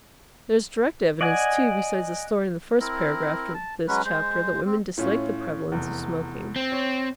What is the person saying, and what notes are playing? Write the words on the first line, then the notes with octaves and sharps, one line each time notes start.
There is direct evidence, too, besides the story in the first paragraph of this chapter, that women disliked the prevalence of smoking.
D5 D#5 F#5 G#5
C4 E4 A#4
A5
F#3 G#3 C#4 B4
G#3 C5
C4
A2 C#4 F4
F1 E2
C4
C#5